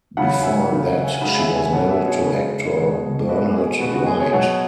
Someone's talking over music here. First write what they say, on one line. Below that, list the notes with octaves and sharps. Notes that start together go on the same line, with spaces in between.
Before that, she was married to actor Bernard White.
C#3 F#3 F#5 B5
E5 G#5
C#3 F#3
C#5 F#5
E5 G#5
C#3 G#3 F#5 B5
E5 G#5
E5 G#5
B2 F#3 C#5 F#5
B4 E5
G#4 C#5
C#3 G#3
B2 G#3
B2 G#3 F#4 B4
G#4
B2 G#3 F#4 B4
F#4
G#4
G#4 C#5
B2 F#3 C#5 F#5